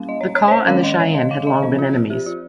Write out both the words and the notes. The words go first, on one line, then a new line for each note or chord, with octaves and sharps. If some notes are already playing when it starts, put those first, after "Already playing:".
The Kaw and the Cheyenne had long been enemies.
Already playing: G3 A#3 C#4 F5
D#5
C#5
C#5
C5
C#5
D#3 G#3 C#4 F5
D#5
C#5
D#5
F5
D#5
F3 C4 C5
F4
G4
F4